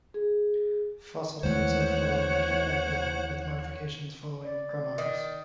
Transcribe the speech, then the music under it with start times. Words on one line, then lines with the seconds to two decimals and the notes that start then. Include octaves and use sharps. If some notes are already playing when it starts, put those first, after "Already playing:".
Fossil taxa follow McKenna and Bell, with modifications following Kramarz.
0.14 G#4
1.43 D#2 D#3 E3 G#3 A3 C5 C#5 F#5
4.43 D5
4.98 D#3